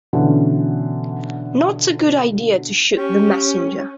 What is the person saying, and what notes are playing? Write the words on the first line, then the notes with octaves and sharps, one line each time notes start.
Not a good idea to shoot the messenger.
B2 D3 E3 C#4
C#4 G4